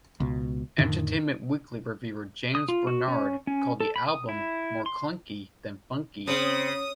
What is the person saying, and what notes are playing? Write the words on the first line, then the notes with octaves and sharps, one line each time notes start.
"Entertainment Weekly" reviewer James Bernard called the album "more clunky than funky".
C#2 B2
F2 A2 D3 D#3
D#6
F4
F#4
C#4
C#4
A4
B5
D#6
E4
C6
C#3 C4 D#6